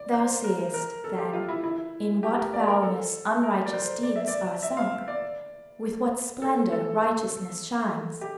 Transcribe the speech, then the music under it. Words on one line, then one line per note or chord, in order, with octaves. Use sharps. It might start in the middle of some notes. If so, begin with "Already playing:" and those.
'Thou seest, then, in what foulness unrighteous deeds are sunk, with what splendour righteousness shines.
Already playing: D5
C5
A#4
A#4
A4
G4
F4
E4
E4
G4
A#4
D5
A#4
A4
A#4
D5
C5
D5
E5
D5
E5
F5
D5
A4
A4
A4
G4